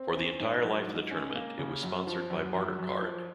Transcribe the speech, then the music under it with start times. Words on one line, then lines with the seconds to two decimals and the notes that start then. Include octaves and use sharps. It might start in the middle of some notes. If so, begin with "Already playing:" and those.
For the entire life of the tournament it was sponsored by Bartercard.
Already playing: C4
0.16 C#4
0.40 G#2
0.63 F#3
0.88 G#2
1.11 C#4
1.35 A#3
1.59 C#3
1.83 F#2
2.07 F3
2.30 F#2
2.55 F#2
2.79 F#2
3.02 F3